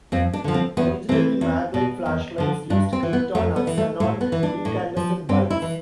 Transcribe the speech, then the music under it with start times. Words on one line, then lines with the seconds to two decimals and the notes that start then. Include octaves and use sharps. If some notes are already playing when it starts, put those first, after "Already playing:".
Originally Maglite flashlights used krypton or xenon incandescent bulbs.
0.12 F2 C4
0.33 D4
0.44 D3 F3
0.54 C4
0.77 E2 B3
1.09 C3 E3 C4
1.41 E2
1.74 B2
2.06 E2
2.38 D3 F3
2.70 G2 D4
2.93 C4
3.03 E3
3.13 B3
3.35 F2 A3
3.56 B3
3.67 E3
3.78 A3
4.00 A2 A3
4.21 B3
4.32 E3
4.43 D4
4.65 A2
4.97 F3
5.29 G2 C4
5.50 E4
5.62 E3